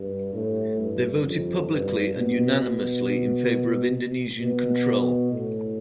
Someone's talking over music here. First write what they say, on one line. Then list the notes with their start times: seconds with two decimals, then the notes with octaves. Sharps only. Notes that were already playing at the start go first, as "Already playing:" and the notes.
They voted publicly and unanimously in favour of Indonesian control.
Already playing: G2
0.34 A2
0.79 G2
1.25 F2
1.70 G2
2.15 B2
2.60 B2
4.42 B2
5.32 A2